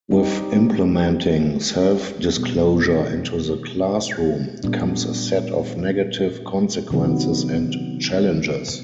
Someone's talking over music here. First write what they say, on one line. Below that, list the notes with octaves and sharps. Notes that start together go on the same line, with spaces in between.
With implementing self-disclosure into the classroom, comes a set of negative consequences and challenges.
G3 C4 D#4 G4
B2 G3 B3
A#2 G3 B3 D4
C3 D#3 F#3 B3